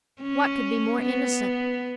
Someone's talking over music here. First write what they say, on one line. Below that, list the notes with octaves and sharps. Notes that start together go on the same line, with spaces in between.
What could be more innocent?
C#4
B3